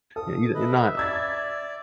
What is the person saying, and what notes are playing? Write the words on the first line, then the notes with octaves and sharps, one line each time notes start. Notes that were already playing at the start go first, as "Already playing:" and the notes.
you you're not
A4 D#6
B4 D#5 E5
D5 E6 G#6 A6